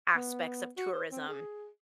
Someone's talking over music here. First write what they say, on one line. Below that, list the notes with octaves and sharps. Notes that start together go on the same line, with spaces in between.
aspects of tourism,
B3
F#4
C5
C4
G#4